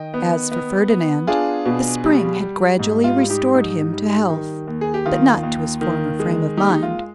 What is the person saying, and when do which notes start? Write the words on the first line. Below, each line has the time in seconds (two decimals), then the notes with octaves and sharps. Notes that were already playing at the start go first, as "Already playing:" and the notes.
As for Ferdinand, the spring had gradually restored him to health, but not to his former frame of mind.
Already playing: D#3 D#5 G5
0.14 B3
0.52 B3
0.89 B3
1.27 D4 F4 G#4
1.65 B2
2.04 G3
2.41 G3
2.79 G#2
3.04 F4
3.16 G3
3.30 D#4 G4
3.54 G#2 D#4
3.93 G3
4.30 D#3
4.68 D#2
4.81 G#4
4.94 G4
5.06 D#3 F4
5.43 D#2
5.81 D#3
6.19 G#3
6.57 D#2 D#4 G4
6.70 D#4
6.83 F4